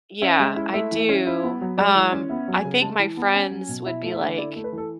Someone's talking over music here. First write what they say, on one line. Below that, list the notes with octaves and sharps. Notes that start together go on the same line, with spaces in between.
Yeah, I do, um, I think my friends would be, like
C#4 E5
G#3
E4
A3 E5
E3
C#4
E4
B3
F#3
G#3 D5
E3
C#4
B3 E5
F#3
G#5
C#3
G#3 A5
E3
B3
C#4 G#5
F#3
B2
E4 E5
A3
E5
D3
E4 D5
A3
B4
E3 A4